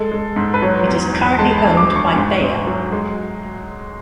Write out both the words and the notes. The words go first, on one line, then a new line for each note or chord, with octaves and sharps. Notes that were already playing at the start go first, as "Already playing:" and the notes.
It is currently owned by Bayer.
Already playing: G#3 A4
G#3
G#2
B4
F#3 C#5
E2
E2
G#3 A5
B5
A5
D2
D6
D2
C#6
G#2
G#2
F#3
G#3